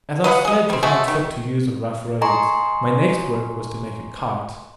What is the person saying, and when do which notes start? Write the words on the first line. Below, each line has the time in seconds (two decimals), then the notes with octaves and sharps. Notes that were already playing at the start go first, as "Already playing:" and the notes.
As our sledge was not fit to use on rough roads, my next work was to make a cart.
0.24 B4 D#5 F5 F#5
0.45 G#4 D#5
0.70 G3 C4
0.83 G#3 A3 F#4 A4
1.08 D#3
2.21 D#5 G#5 A#5 C6 C#6